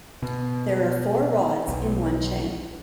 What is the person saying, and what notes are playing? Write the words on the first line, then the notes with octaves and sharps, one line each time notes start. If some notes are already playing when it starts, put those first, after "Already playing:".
There are four rods in one chain.
B2
B1